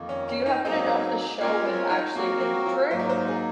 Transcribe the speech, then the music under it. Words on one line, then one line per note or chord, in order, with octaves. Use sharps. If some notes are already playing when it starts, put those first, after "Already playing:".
Do you happen to know if the show was actually in Detroit?
Already playing: F2 D#3 A#3
C#4
C#4
D#4
G#2 F#3 A#3 C4 D#4 G#4
G#3 A#3 C#4 F4 A#4 C#5
C4
D#4
F#3 A#3 C4 F#4 A#4
A#3
F4
G#2 F#3 A#3 D#4 C5
A#4
C5
G#4